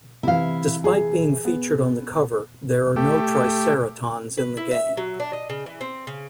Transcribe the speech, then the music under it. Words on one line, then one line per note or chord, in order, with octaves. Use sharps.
Despite being featured on the cover, there are no Triceratons in the game.
C3 E3 E4 F5
G#4
B3
A3 G4
B4
E4
E5
F#3
D4
D#5
C#3
E3
C4
C#3